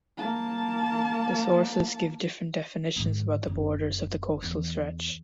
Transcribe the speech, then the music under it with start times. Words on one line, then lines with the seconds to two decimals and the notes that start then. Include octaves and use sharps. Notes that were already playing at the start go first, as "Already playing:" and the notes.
The sources give different definitions about the borders of the coastal stretch.
0.18 A#3 A5
2.96 G#2 D#3
3.47 F#1
4.43 E2